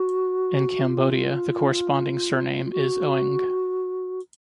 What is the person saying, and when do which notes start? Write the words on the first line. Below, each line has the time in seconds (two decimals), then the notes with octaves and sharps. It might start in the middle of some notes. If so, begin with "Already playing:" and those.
In Cambodia, the corresponding surname is Oeng.
Already playing: F#4
0.82 F4
2.65 F4
2.72 F#4